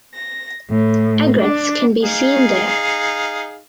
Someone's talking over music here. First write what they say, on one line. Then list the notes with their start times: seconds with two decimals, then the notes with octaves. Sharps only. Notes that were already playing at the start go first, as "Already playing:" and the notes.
Egrets can be seen there.
0.14 A#6
0.69 A2
1.40 D4
2.02 D#4 G#4 F5